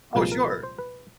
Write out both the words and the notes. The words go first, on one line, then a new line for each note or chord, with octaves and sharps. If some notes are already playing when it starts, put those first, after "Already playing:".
Oh, sure.
C2 A#2 F3 G#3 B4
A#4
B4
C5
B4